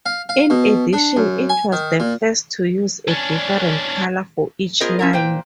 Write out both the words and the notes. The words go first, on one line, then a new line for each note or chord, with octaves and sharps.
In addition, it was the first to use a different color for each line.
F5
F5
B2
D4
F#2
G#5
D#3
A#2
C#4 D4
B3 F4 G#4 A#4 C5 D#5
C#4 E4 A#4
A#2 C5 G5